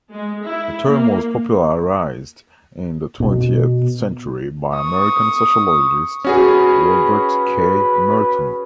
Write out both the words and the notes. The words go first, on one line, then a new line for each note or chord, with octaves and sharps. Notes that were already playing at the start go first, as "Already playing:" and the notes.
The term was popularised in the twentieth century by American sociologist Robert K. Merton.
G#3
E4
A#3
B2
C#6 D#6
C#4 F#4 G#4 B4